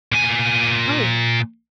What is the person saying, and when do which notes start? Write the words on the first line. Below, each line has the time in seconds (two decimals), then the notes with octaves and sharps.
Oh, yeah.
0.12 A#2 G#5